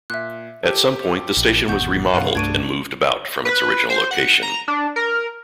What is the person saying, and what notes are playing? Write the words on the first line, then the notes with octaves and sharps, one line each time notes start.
At some point, the station was remodeled and moved about from its original location.
A#2 E5 F#6
G4 A4
A#1
G#1 E2 B2 F#5 C#6 G6
F#2 B2 F5 F#5
C2 G2 A3 D4 C#6 G#6 D7 D#7
B4
C5
F#5
A#5
D4
A#4